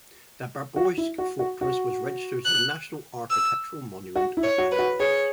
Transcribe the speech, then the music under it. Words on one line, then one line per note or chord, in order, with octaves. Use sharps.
The Babruysk Fortress was registered as a national architectural monument of Belarus.
F#4
E4
F#4
F#4
F#4
F#6
E6
F#4
E4
C#5
F#4
B4
F#4
G#4 C#5